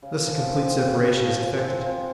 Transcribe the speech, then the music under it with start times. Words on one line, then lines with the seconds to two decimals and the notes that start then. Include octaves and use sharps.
Thus a complete separation is effected.
0.02 C#3
0.25 F3
0.47 C4
0.69 C4
0.91 C#3
1.13 F3
1.36 F3
1.58 C4
1.80 F3